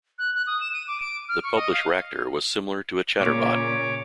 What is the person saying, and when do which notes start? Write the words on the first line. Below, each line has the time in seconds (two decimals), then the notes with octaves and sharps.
The published Racter was similar to a chatterbot.
0.19 F#6
0.35 F#6
0.47 D#6
0.61 E7
0.73 D#7
0.88 D6
1.00 D7
1.29 F6
1.44 C#6
1.55 D#5
1.73 F5
3.19 A#2 C#3 C#5 D6